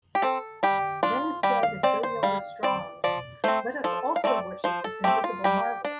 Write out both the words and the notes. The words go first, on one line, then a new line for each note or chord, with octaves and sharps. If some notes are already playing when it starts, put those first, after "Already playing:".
Then said Ithuriel the strong; let Us also worship this invisible marvel!
G4
C4 A4
G3 G4
D4 F4
G3 G4
F5
C4 D5
C5
G3 F5
C4 D5
F3 D5
A3 C4 C5
F3 A4
F5
A3 C4 D5
F3 C5
A4
A3 C4 G4
F4
G3 G4
D4